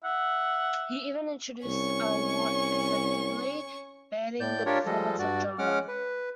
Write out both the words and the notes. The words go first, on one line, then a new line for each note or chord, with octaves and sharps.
He even introduced a law effectively banning the performance of drama.
E5 F#5
C2 C#4 C#6
A2 D5 G6
D4 F4 G4 A#4 C#5 D5
F3 G3 G#3 A4 D#5
G2 F#4 D5
G#3 C#4 F#5 D6 F6
B4